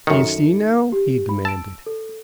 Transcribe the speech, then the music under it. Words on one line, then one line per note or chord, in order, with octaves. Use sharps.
"D'ye see, now!" he demanded.
F#2 D#3 D#4 A4 C#7
G4
B5
A5 E6 D7
A4